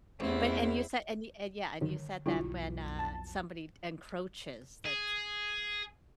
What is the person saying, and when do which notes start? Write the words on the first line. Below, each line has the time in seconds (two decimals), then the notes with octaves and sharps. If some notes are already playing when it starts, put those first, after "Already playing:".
But and you said and y and, yeah, and you said that when, uh, somebody encroaches that
0.20 A1 E2 C4 E4
1.81 G2 D3 D#3
2.26 B1 F2 D3 F#3 G3 E4 F4
2.99 A5
4.86 G#4